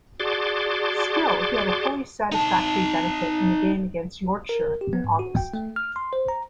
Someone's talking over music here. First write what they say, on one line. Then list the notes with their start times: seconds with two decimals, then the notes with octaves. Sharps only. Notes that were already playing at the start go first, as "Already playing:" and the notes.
Still, he had a fully satisfactory benefit in the game against Yorkshire in August.
0.20 F#4 G#4 D5 A5 C6 D6
2.32 D#4 A5
4.49 A#4
4.81 G4
4.93 B3
5.04 G#2
5.19 F#4
5.36 G5
5.54 A3
5.76 F6
5.96 C6
6.13 C5
6.28 A#5